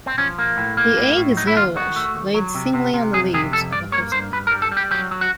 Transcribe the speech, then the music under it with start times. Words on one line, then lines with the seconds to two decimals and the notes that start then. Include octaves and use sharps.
The egg is yellowish, laid singly on the leaves of a host plant.
0.06 C4
0.18 F3 C#4
0.38 A#3
0.57 A2
0.77 A#3
0.97 A2
1.17 A2
1.37 F#3 D#4
1.47 E4
1.56 D#2 F4
1.76 D#3 F#4
1.96 A3
2.15 D#2
2.34 F#3
2.55 C3
2.74 C3
2.94 C3
3.13 F2 G#4
3.34 C3 G#4
3.53 F2 A4
3.72 G2 D5
3.92 A#3 C#5
4.12 G2 C5
4.33 G2 B4
4.47 A#4
4.51 G3
4.62 A4
4.72 G3
4.77 G4
4.91 F#3 G4
5.11 F#3
5.21 F#4